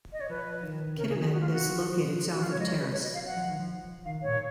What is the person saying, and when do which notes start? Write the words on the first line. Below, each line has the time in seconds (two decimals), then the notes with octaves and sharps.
Kitimat is located south of Terrace.
0.13 D#5
0.20 C#5
0.29 F3 B4
0.63 D#3
0.97 C#3 A#4
1.09 G#4
1.15 D#3
1.20 G#4
1.32 F#4
1.41 F4
1.51 F#4
1.66 F3
2.00 F3
2.35 F#4
2.43 F4
2.52 C#5
2.57 G#3 D#5
2.68 F#3 C#5
2.80 B4
2.92 C#5
3.03 D#5
3.14 F5
3.25 F#5
3.37 F3
3.48 D#3
3.59 F3
4.05 D#3 F5
4.22 G#2 C#5
4.28 A#2